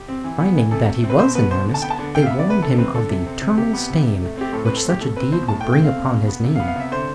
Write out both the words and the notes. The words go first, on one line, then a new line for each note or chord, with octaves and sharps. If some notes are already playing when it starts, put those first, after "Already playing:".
Finding that he was in earnest they warned him of the eternal stain which such a deed would bring upon his name.
Already playing: G4
C4
E3
B3
E3
C3 A4
A3
C4
B4
B2 C5
B3 B4
B2 C5
D3
A5
B3 G5
A5
D3
C3 G5
F5
E5
B3
D5
C3 B4
D3 A4
C4 B4
D3 A4
C3
C4
C3
C3 G4
B3
C3
C3
A3
C4 G4
A2 A4
B4
C4
A4
A2 G4
B2 A4
C4 B4
B2 C5
A2 A5
G5
A3
G5
C4 F5
B2
B2
B3
C3
F5
B3
F5
C3 E5
D3 C5